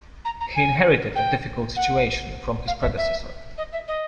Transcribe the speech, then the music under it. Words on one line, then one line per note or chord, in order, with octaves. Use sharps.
He inherited a difficult situation from his predecessor.
A#5
A#5
G#5
G5
F#5
F5
E5
E5
D#5
E5
D#5